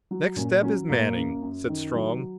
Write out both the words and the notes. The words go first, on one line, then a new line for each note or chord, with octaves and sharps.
"Next step is Manning," said Strong.
F#3
A#2 C#4
F#3 C#4
A#2 A#3
F#2
F#2
D#3
F#3